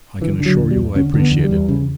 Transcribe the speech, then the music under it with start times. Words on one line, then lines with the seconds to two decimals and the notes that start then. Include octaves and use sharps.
I can assure you I appreciate it.
0.21 D3 E3
0.40 D3
0.45 F#3
0.58 E2
0.71 G3
0.77 E2
0.95 D3 C#4
1.14 D3
1.20 B3
1.31 E2
1.44 G3
1.51 E2
1.68 C#3